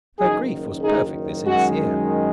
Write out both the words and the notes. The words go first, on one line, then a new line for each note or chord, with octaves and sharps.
Her grief was perfectly sincere.
F#1 F#2 D#3 D#4 G#4
D#4 G#4
F#2 D#3 G#3 F#4